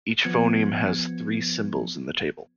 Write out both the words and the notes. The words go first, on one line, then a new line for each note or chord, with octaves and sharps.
Each phoneme has three symbols in the table.
F3 B3 G#6 C#7